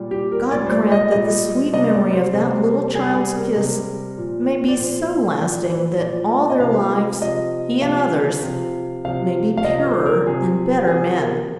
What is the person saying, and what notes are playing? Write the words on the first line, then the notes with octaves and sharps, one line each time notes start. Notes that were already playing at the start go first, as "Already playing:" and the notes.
God grant that the sweet memory of that little child's kiss may be so lasting that all their lives, he and others, may be purer and better men.
Already playing: A#2 G3
G4
A#4
A#2 G3 D5
C5
D5
D#5
A#2 G3 D#5
C3 G3 D#5
D5
C5
C3 G3
C3 G3 G#4
G#4
A#4
C3 G3
A#2 F3
D5
A#2 F3 C5
A#2 F3 D5
C5
A#2 F3 D5
D#5
C3 F3 F5
C3 F3 D#5
C3 F3 F5
C3 F3
C3 F3 F5
F5
C3 F3 D#5
C5
A#4
C3 F3 G#4
C3 F3 G#4
A#4